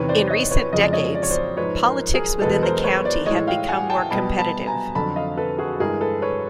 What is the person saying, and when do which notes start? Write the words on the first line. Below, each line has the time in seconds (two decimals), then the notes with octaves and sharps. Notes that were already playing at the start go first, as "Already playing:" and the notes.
In recent decades, politics within the county have become more competitive.
Already playing: E2 C3 D#3 B4 C#5
0.09 C5 D5
0.30 C#5 D#5
0.51 B4 C#5
0.73 F2 C#3 F3 G#3 D#5
0.83 D5
0.93 C#5 D#5
1.15 D5
1.23 C#5
1.31 C5 D5
1.57 G#2 F3 G#3 B4 C#5
1.85 A#4 C5
2.13 G#4 A#4
2.42 E2 B2 G#3 A4 B4
2.63 A#4 C5
2.84 B4 C#5
3.05 C5 D5
3.26 A2 E3 G#3 C#5 D#5
3.47 F5 G5
3.68 F#5 G#5
3.90 G5 A5
4.10 B2 G3 A5 B5
4.39 A5 B5
4.67 G#5 A#5
4.95 F2 D3 F#3 A5 B5
5.16 D#5 F5
5.37 A4 B4
5.59 F#4 G#4
5.80 G2 E3 G#3 G#4 A#4
6.01 A4 B4
6.22 B4 C#5